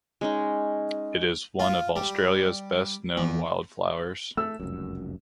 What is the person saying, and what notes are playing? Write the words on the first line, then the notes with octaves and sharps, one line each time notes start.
It is one of Australia's best known wildflowers.
G#3 C#4 D#4
F4
G3
E2
A3 E6
F1 C#2 F#2